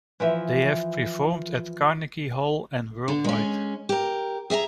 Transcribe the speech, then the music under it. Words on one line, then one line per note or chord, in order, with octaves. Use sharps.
They have performed at Carnegie Hall, and worldwide.
E3 F3 E5
D3
G#3 C#4
G4 A#4
G#4 E5 G#5 A#5